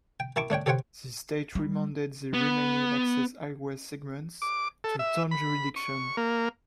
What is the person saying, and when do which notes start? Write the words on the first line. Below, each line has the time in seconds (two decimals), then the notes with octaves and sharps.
The state remanded the remaining access highway segments to town jurisdiction.
0.20 G5
0.36 D#3 E4 A5 C#6 D6
0.50 A3 D4 C#5 G5
0.66 G4 A4 C5 C#5 F#5 G5
1.55 G3
2.34 B3
4.42 D6
4.84 A4
4.99 E5
5.31 B5
5.76 C#6
6.17 A#3